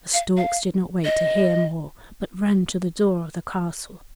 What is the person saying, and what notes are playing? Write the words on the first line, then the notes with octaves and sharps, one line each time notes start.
The storks did not wait to hear more, but ran to the door of the castle.
F5
F5
D#5